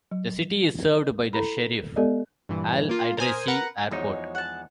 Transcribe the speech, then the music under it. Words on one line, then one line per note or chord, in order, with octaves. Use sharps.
The city is served by the Cherif Al Idrissi Airport.
F#3
E4 A4 A#5 B5
G#3 B3 G4 A4 D5 D#5
G2 A#2 E3
A#3 F4
A#4 C5 G#5 D#6
A#4 B4 F#5 A#5
E2 F3 G#3 D#4 F#4 C#5
F#5 A5